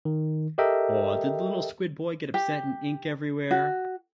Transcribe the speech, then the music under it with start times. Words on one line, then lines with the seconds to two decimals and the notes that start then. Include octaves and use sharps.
Aw, did little squid boy get upset and ink everywhere?
0.05 D#3
0.58 G4 A4 A#4 D#5 E5 G5
2.34 G4
3.51 F#4